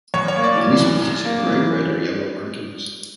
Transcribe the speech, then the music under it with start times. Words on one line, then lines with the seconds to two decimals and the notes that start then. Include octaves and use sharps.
Many species have bright red or yellow markings.
0.14 F#2 C#5
0.28 C#5
0.36 A#3
0.44 D5
0.57 E3 D5
0.80 F#2
1.02 F#2
1.25 A#3
1.46 E3